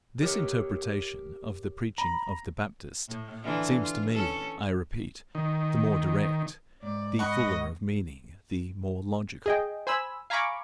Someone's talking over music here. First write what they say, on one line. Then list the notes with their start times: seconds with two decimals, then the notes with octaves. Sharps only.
This interpretation of the preaching of the Baptist seems to me, I repeat, the more direct, the fuller of meaning, the more logical.
0.22 G4 A#4 C#5
1.98 A#5 B5
3.08 A2
3.43 D3 E3 F4
3.81 F4
4.13 C#4 A4
5.35 D#3
6.83 G#2 D5
7.19 D#5 F#5 B5 C#6
9.46 G#4 D#5 G5
9.87 C5 G#5 B5 E6
10.30 F5 G#5 A#5 B5 C#6 D6